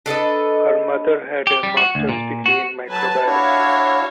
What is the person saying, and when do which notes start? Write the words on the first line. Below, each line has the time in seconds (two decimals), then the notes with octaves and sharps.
Her mother had a master's degree in microbiology.
0.06 D4 A4 B4 D#5
1.47 G4
1.63 G3
1.77 F#4
1.95 D2
2.09 A#2
2.46 F#4
2.88 F#3 B4 G#5 A5
3.26 D4 E4 F#4 C#5 E5 F5